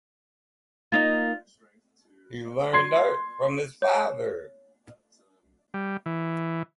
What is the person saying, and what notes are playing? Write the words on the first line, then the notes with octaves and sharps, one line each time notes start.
He learned art from his father.
A#3 D#4 F4 D#5
C6 G#6 C7
C#5
G3
E3